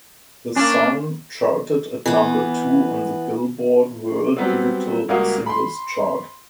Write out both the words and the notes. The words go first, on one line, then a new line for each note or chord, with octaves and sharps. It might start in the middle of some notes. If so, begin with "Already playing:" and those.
The song charted at number two on the "Billboard" World Digital Singles chart.
A#3 C#4 D4
E3 B3
F#3 G3 B3 C4
C#2 G3 A#3 F#4 F5 D#6
B5 C6